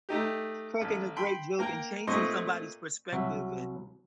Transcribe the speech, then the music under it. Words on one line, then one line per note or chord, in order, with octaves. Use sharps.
Cracking a great joke and changing somebody's perspective and
A3 D#4 G4
A1
G5 B5 C6
A#3 A#4 G5
A#2 A3 C4 D#5 C6 C#6
C2 F#3 F#4 E5